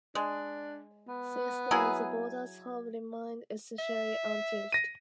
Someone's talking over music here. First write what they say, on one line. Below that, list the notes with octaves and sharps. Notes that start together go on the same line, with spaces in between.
Since then, the borders have remained essentially unchanged.
G#3 D4
B3
F#3 E4 G#4
E5
A#6 D#7